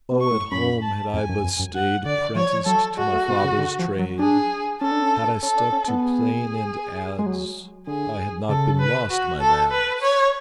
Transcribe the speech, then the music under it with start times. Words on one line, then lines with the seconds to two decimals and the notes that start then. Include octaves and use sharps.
"Oh, at home had I but stayed 'Prenticed to my father's trade, Had I stuck to plane and adze, I had not been lost, my lads."
0.11 B2
0.21 C#6
0.31 A2
0.51 F#2 B5
0.83 A5
1.13 F2 G#5
1.29 F#2
1.44 F2
1.59 F#2
1.74 F#5
2.05 D3 D5
2.35 F3 C#5
2.66 F#3 A4
2.97 G#3 F#4
3.13 A3
3.28 B2
3.44 C#3
3.59 D3
3.79 F3
3.99 F#3
4.19 D4 G#4
4.81 C#4 A4
4.91 D4
5.02 C#4
5.42 C#4 A4
5.58 D4
5.72 C#4
5.88 B3
6.03 G#4
7.19 G#3
7.26 F#3
7.87 D3 G#4
8.49 C#3 A4
8.79 B4
9.10 F#4
9.41 A4
9.71 B4
10.02 C#5